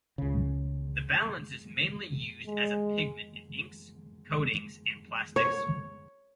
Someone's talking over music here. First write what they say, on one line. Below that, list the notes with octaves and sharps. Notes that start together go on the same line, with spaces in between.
The balance is mainly used as a pigment in inks, coatings and plastics.
C#2 C#3
G#3
C#5